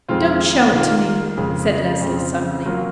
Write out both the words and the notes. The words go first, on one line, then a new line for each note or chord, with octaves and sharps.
"Don't show it to me," said Leslie suddenly.
F2 D#3 G#3 C4 F4
D#3 A#3 F4
F2 C#3 G#3
F2 C#3 F3 C4
F#3 A#3 F4 A#4